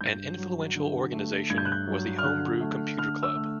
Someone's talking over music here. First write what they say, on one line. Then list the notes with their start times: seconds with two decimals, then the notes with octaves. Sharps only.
An influential organization was the Homebrew Computer Club.
0.01 G2 G6
0.38 F#3
0.76 D3
1.13 A3
1.50 G2 G#6
1.58 G6
1.65 F#6
1.72 G6
1.87 F#3
2.19 F6
2.24 D3 F#6
2.61 A3
2.98 D3 F6
3.23 E6
3.36 A3